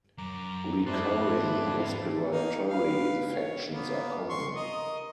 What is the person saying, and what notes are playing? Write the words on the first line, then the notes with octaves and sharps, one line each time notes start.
Recurring respiratory infections are common.
F#2 A#5 D6
G#2 F3 C4 D4 E4 C5 A5 F#6
A#3 D#4
B4 F5
C#5
A#3 B3
C6 C#6
A#4 D#5